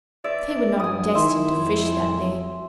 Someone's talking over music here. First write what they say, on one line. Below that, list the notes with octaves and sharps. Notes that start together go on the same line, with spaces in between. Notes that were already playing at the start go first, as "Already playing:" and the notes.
They were not destined to fish that day.
D5 E5
G2 F#3 G#5 D#6
D#3 E4 E5 C6
F2